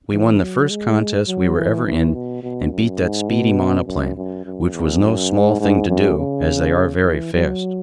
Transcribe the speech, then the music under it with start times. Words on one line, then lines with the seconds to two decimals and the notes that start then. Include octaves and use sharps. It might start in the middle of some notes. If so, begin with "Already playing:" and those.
"We won the first contest we were ever in, and beat that speedy monoplane, which was no small thing to do, as they are very fast."
0.12 E3
0.41 F#3
0.70 G#3
1.27 F#3
1.56 E3
1.85 E3
2.14 B2
2.43 B2
2.71 F#2
3.01 G#2
3.29 B2
3.87 F#2
4.16 F#2
4.45 F#2
4.73 E2
5.02 F#2
5.31 G#2
5.60 G#2
5.89 F#2
6.17 C#3
7.04 E3
7.33 F#3